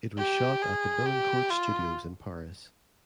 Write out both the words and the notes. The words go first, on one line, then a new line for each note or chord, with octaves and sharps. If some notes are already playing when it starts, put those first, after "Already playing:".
It was shot at the Billancourt Studios in Paris.
G4
G#4
G4
F4